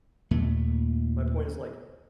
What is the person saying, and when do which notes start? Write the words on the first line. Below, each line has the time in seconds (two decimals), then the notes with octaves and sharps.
my point is like,
0.31 D#2 A#2 A3